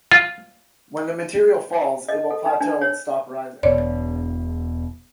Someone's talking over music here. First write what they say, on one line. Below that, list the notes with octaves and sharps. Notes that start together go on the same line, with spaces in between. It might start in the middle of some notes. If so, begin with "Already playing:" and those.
When the material falls, it will plateau and stop rising.
F4
D#5
A4
D#4
D4
C#5
E1 B2 C#5 D5